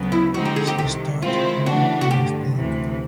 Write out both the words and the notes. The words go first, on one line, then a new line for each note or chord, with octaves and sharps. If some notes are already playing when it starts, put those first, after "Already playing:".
She started work the next day.
Already playing: D2 C#3 F#3 B3
E4
D3 F3 G#3 C4 D#4 F#4
G4
G#4
G4
C2 C3 D#3 G4
D#3 G#3 C4 E4 F4
C#3 E3 A3 D4 F#4
F#4
A1 G2 D3 G4
D2 C3 E3